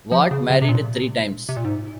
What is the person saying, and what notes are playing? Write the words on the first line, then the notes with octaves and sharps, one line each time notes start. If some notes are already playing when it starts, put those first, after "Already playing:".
Ward married three times.
F3
C#3
C#3
C3
A#2
C3
A#2
G#2